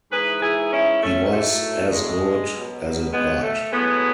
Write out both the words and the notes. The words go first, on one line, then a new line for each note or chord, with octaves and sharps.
He was as good as it got.
G#2 E3 G#4 B4
E4 G#4
C#4 E4
A3 C#4
A2 F#3 A3
G#3
B2 F#3
G#3 B3
A3
A2 F#3 G#3 B3